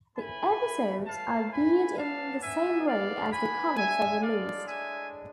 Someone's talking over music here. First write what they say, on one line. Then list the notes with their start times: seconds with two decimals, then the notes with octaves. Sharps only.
The episodes are viewed in the same way as the comics are released.
0.16 A2 E3 A3 G#5 B5
1.06 F5 A5
1.52 G#5 B5
1.96 G#2 E3 B3 D4 F5 A5
2.42 E5 G#5
2.86 D5 F5
3.31 G#5 B5
3.76 A2 G#3 D4 E5 G#5
4.21 D5 F5
4.67 E5 G#5